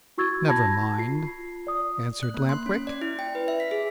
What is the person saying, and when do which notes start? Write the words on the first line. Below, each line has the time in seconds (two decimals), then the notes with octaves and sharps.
"Never mind," answered Lamp-Wick.
0.18 E4 F#4 C#6 E6 G#6 A6
0.48 A5 B5 G#6 A#6
0.98 F4 C7
1.67 D5 D#6
2.23 F#6
2.34 A#3
2.49 C6
2.66 C#4
2.87 D5
3.01 E4
3.19 G5
3.35 B4
3.48 E5
3.60 B6
3.71 G#4